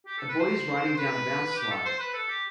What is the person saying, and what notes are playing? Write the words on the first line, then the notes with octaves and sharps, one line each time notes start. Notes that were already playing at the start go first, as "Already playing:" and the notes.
A boy is riding down a bounce slide.
G4
A4
B4
C5
B4
G4
A4
C5
B4
A4
G4